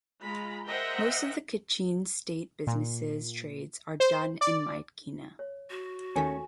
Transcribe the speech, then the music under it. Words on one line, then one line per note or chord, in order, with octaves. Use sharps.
Most of Kachin State business trades are done in Myitkyina.
G#3 F4 A#5 B5
A#4 C5 D#5 E5 F#5 G5
A#2
C5
D5
C#5
F#4
D#2 D#3 A3 C#4 D#4 A4 G#5 B6